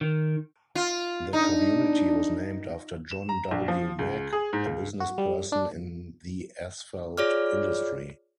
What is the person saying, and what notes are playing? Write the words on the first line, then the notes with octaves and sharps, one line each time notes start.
The community was named after John W. Mack, a businessperson in the asphalt industry.
D#3
F4
D4 D#4
E7
A#5
A#1
F3
C#2
G#4
G#2
C#2
F#4
G3
D4
F4 G#4 C#5 D5 D6 F6